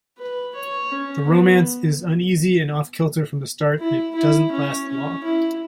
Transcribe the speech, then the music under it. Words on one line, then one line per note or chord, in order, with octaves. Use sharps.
The romance is uneasy and off-kilter from the start, and it doesn't last long.
B4
C#5
C#4
B3
E4
E4
C#4
C#4
E4